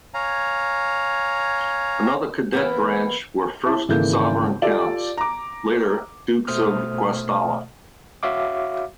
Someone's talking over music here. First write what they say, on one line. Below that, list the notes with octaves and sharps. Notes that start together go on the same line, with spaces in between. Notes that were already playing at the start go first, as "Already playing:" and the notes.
Another cadet branch were first sovereign counts, later dukes of Guastalla.
C#5 F5 G#5 A#5
E3 A#3 B3
E4 A5
G#1 C#3 E3 A#3 A4 G6
F4 G4 A4 D5
A#5 D6
B2 A3 C5 D#6 F6
F#4 C#5 E5 F5 D6